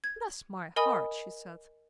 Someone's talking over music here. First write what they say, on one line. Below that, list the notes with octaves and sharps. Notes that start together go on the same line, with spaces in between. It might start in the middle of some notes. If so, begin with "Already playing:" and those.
"Bless my heart!" she said.
G#6
A#4 D#5 G#5 B5 D#6